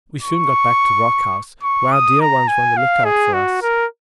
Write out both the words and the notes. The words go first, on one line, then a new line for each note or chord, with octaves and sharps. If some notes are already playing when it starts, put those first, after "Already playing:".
We soon got back to Rock House, where our dear ones were on the look-out for us.
C#6
C#6
D#6
A#5
G#5
F5
G#4
F#4
A#4